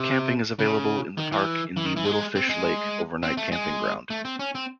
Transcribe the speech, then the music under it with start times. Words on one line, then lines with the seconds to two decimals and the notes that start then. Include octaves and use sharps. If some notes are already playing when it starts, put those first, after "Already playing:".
Camping is available in the park in the "Little Fish Lake" overnight camping ground.
Already playing: C3
0.59 C#3
1.17 D#3
1.32 E3
1.77 E3
1.86 D#3
1.96 E3
2.05 G#3
2.35 C4
2.50 G#3
3.23 C4
3.37 A3
3.52 G#3
4.10 A3
4.25 C4
4.39 C#4
4.55 C4